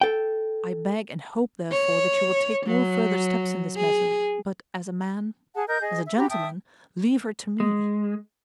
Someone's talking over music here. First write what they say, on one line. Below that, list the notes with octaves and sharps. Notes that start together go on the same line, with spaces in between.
I beg and hope, therefore, that you will take no further steps in this matter, but as a man, as a gentleman, leave her to me.
A4 G5
C#5
F#3
G#4
G#4 F#5 A5
A#4 D#5 G6
G#4 D#5
E5
F#4 G4 A#5 B5
E5 G5 A5 D#6
G#3